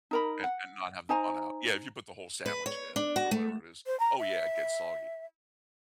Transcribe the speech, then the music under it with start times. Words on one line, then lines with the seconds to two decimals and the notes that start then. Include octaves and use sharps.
and and not have the bun out yeah, if you put the whole sandwich in or whatever it is oh, yeah, it gets soggy,
0.11 D#4 A#4 B5
0.44 F#5
1.09 D#4 C5 G#5 A#5
2.46 B4
2.66 C#5
2.96 D4
3.16 F#4
3.31 A3
3.87 C5
4.00 A#5
4.19 E5